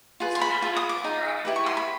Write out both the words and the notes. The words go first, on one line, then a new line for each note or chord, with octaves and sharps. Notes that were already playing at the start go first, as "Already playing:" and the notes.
and so now that I'm older, I would I
F4 G#4 B4
C6
B5
F4 G#4
D#6
D6
D#4 G#4
E4 G4 B4
C#6
C6
B5